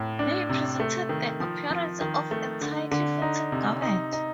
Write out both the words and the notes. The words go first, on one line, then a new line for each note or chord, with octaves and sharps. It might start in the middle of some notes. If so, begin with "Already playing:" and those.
They presented the appearance of a tightly-fitting garment.
Already playing: A2
D4
C3
A3
D#3
F3
F3
D#3
A3
D3
D3
D#4
C3
D#4
D#4